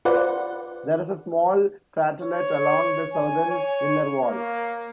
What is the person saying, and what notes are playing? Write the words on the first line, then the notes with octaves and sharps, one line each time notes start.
There is a small craterlet along the southern inner wall.
F4 B4 C5 D5 F#5
C#5
G#5
C#5
A#3